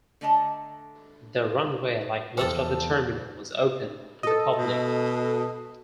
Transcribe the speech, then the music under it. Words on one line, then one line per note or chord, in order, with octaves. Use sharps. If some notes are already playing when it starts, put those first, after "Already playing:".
The Runway, like most of the terminal, was open to the public.
D3 A3 D4 D#5 A5 A#5
E2 F3 A4 C5 G5 A5 E6
A4 D#5
B2